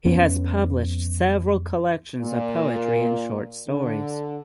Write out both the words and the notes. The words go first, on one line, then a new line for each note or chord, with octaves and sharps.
He has published several collections of poetry and short stories.
F2 B3 C#4
A#2
D3